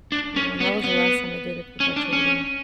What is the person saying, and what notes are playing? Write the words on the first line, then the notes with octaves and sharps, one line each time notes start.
You know, and that was the last time I did a group activity.
D4
C#4
B3
B3
C#4
D4
C#4